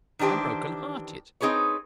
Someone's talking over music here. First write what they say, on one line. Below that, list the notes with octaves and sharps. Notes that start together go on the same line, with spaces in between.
I am broken-hearted.
D#3 E3 D4 G4 C5
C4 D#4 G#4 B4 C#5